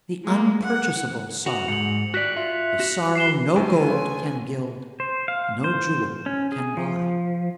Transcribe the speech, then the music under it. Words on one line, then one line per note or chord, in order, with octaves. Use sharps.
The unpurchasable sorrow--the sorrow no gold can gild, no jewel can buy!
G#3 A#3
F#5
F#4 F7 F#7
G#2 C#7 F#7
F#4 D5 F#6 B6
F4 E5
F#4
C7 E7 G7
D2 G#5
B4 C#5 C6
C5
F5
C5
C#4
G#4
F3